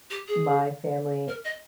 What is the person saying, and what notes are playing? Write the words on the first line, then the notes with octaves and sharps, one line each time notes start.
my family
G4
G#4
A#4
D#5